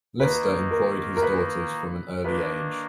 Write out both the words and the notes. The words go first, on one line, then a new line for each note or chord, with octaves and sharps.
Lister employed his daughters from an early age.
D#3 A#3 D#4 B4
A#4
A#4
B4
D#3 A#3 D4 B4